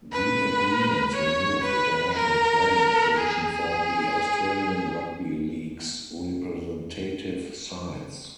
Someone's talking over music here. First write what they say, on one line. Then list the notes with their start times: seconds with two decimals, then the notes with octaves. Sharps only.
The agreements removed international playing opposition for the Australian Rugby League's representative sides.
0.12 B4
1.14 C#5
1.64 B4
2.16 A#4
3.17 G#4